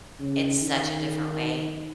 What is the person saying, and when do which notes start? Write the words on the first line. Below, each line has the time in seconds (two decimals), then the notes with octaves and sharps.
in such a different way.
0.20 C#3
0.62 D#3